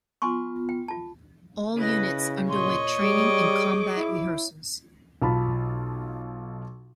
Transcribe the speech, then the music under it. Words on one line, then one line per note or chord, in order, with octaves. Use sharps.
All units underwent training and combat rehearsals.
B3 F4 G#5 C6 C#6
G5
F4 A5
C#3 E4 B4 D#5
A#2 C#5 D#5 C6
G3 G#4 D6
E4
B1 F4 A5 B5